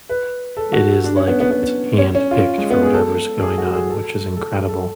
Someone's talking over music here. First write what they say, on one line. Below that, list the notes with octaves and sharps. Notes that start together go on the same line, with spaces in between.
it is, like it's handpicked for whatever is going on, which is incredible,
B4
A4
F#4
D4
C#4
B3
B3
B3
C#4
C#4
F4
G#3
B3
G#4
A4
A4
G#4
F#4
G#4
A4
A4
A4